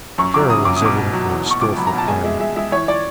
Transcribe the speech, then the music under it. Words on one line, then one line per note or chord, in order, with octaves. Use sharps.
Kara was evidently a skilful pilot.
F#2 C#6
F#3 D6
C#3 D#6
F#2 D6
D#6
B2 D6
B2
F#3
E2
B2 C#6
C#2 D6
F#3 B5
A#5
B2 A5
G#3 G#5
G#3 E5
G#3 E5
G#3 E5
E3 C#5
D5